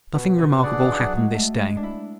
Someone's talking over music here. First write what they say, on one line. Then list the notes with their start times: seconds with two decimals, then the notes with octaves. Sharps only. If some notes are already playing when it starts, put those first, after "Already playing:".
Nothing remarkable hapened this day.
0.14 B2
0.38 C#3
0.63 D3 D4 G#4 D5 F#5
0.80 E3
0.99 F#3
1.17 G#3
1.34 A3
1.59 G#3
1.77 D4
1.83 E4